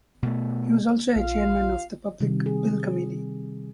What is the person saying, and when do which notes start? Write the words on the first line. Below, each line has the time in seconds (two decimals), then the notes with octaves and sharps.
He was also a Chairman of the Public Bill Committee.
0.23 B2 A3
1.16 A#1 F4 F5
2.20 C3 D#3 G3
2.46 G#4